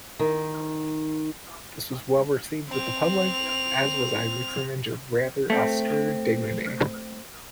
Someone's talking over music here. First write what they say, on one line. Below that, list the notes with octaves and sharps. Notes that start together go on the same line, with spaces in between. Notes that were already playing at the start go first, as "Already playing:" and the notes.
This was well-received with the public, as was Isaacs's image of rather austere dignity.
D#3
C4 F7
A3 C4